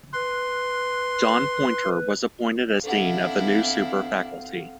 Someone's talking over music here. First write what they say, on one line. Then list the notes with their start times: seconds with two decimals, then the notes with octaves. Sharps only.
John Poynter was appointed as Dean of the new super faculty.
0.13 B4 C6
2.84 C4 D4 E4 A4 F5 F#5